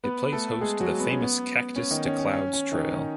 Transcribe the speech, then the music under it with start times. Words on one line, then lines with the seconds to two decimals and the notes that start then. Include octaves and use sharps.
It plays host to the famous Cactus to Clouds Trail.
0.04 B3 B4
0.32 A3 A4
0.61 G#3 G#4
0.80 F#3 F#4
1.00 B3
1.11 C#4
1.23 B3
1.76 C#4
1.91 D#3 D#4
2.06 C#4
2.19 C#4
2.34 C#4
2.53 C#4
2.72 D#3 D#4
2.91 C#4